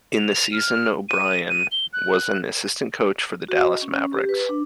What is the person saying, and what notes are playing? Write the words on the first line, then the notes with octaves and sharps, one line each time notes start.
In the season, O'Brien was an assistant coach for the Dallas Mavericks.
F7
F6
D#7
D#7
G7
F#6
F#4
D#5
C#4
C#4
G4
B4
D4